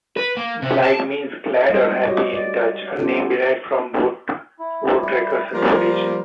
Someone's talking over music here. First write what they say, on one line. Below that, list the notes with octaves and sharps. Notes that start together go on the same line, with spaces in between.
Blyde means "glad" or "happy" in Dutch, a name derived from a voortrekkers' expedition.
B4
A#3
C3
A5
G3 G#3 C5 D#5
F#4 G4 C#5 D#5
D5 D#5
B3 C#4 D4 F4 G4 A4
E4
G3 E4
F3 G3 A#3 C5